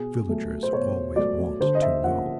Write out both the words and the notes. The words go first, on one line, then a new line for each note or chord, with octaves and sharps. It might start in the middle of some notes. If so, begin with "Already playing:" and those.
Villagers always want to know.
Already playing: B2 G#4
F#3 A3
C5
B2 C#5
F#3 A3 D5
D3 C5
D#5
E5
F3 A#3 C#4 F#5